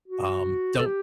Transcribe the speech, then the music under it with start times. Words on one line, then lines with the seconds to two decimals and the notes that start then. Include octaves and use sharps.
um, don't
0.08 F#4
0.78 A4
0.86 G4